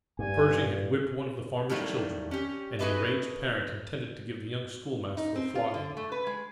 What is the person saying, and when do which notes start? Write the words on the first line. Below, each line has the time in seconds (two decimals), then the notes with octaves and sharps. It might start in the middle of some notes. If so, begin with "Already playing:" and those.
Pershing had whipped one of the farmer's children, and the enraged parent intended to give the young schoolmaster a flogging.
0.19 G2 G#5
1.69 A2 D#3 F#3 G3 A3 A#3
2.31 C#4 G4
2.79 F#4 G#4 A4 B4 D#5 E5
5.17 D#4
5.36 C4
5.55 F4
5.74 D3
5.97 A3
6.12 B4
6.27 G#3